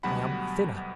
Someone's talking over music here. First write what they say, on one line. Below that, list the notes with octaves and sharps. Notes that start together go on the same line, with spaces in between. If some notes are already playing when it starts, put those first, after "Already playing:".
I am thinner.
D2 B2 F#3 G3 F#5 B5